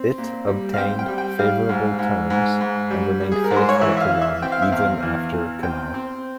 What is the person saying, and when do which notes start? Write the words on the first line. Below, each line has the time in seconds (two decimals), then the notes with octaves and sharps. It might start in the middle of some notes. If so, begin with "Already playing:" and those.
It obtained favourable terms, and remained faithful to Rome even after Cannae.
Already playing: C4
0.18 A#2
0.47 G3
0.74 F5
0.78 C4 G5
0.99 G5
1.08 G3
1.18 G5
1.39 G3 F5
1.69 G#2
1.99 G#2
2.30 G#2
2.61 G#2
2.91 G3
3.20 G3
3.32 G#4
3.44 A#4
3.51 G#2
3.56 C5
3.69 C#5
3.81 E3 E5
3.97 E5
4.01 F5
4.11 E3
4.21 E5
4.42 C4 G5
4.52 F5
4.62 E5
4.72 E2 F5
5.03 E3
5.32 E2
5.63 C4 G5
5.94 C4